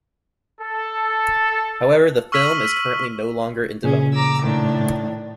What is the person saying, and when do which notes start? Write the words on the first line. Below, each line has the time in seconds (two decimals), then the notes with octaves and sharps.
However, the film is currently no longer in development.
0.60 A4
2.32 C#6 E6 F6 B6 D#7 F#7
3.84 A#2 C#3 C#4 G#4
4.14 A#5 D6 E6
4.42 A2 D#3 D4